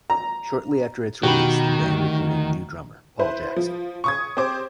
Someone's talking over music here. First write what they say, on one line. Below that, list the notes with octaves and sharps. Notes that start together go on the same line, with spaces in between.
Shortly after its release the band recruited a new drummer, Paul Jackson.
A#5
B2 D#3 F#4 G4 B5
D2
E4 B4 C5
F3
C#6 D#6 G#6
C4 G4 C5 D6